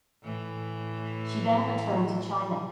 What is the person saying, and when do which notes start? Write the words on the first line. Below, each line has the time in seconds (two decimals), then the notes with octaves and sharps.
She then returned to China.
0.23 A2 E3